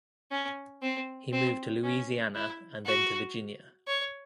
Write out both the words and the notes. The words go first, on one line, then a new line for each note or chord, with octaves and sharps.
He moved to Louisiana and then to Virginia.
C#4
C4
C4
C#4
E4
F#4
C#5